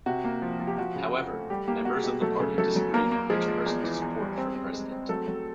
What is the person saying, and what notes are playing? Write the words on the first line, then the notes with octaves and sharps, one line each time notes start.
However, members of the party disagreed on which person to support for president.
C3 F#4
A#3
F3
F3
G4
F3 F#4
C#3
F2
A3
G3 G4
A#3 G4
A#3 F#4
G#4
B2 G4
F#3 A3 A4
C#3
F#3 A3 A4
F#3
E2 A#3 A#4
A#3
F3 G#3 G#4
F3
E2
E3
E2
G3
C4
C4
G#3
C4
F#3 A3 A4
F#3